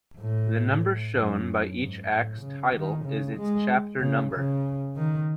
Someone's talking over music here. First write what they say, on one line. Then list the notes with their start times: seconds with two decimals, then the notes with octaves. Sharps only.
The number shown by each Act's title is its chapter number.
0.19 A2
1.15 F#2
1.79 G#2
2.10 A2
2.42 C#3
2.73 D#3
3.05 C#3
3.37 G#3
4.00 C#3
4.32 C#3
4.96 D#3